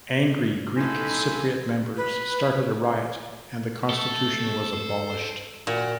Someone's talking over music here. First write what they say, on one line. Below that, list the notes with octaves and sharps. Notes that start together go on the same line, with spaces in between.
Angry Greek Cypriot members started a riot and the constitution was abolished.
B1 A2 D#4 A4 C5 G#5 B5
B4
A3 A4
C5
A#2 F#4